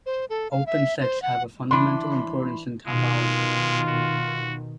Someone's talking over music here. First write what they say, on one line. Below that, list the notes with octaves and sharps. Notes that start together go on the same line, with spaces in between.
Open sets have a fundamental importance in topology.
C5
A4
F5
E5
C5
F#5
E3 D4 B5 C6
B2 D#3 G#3 F4
F#4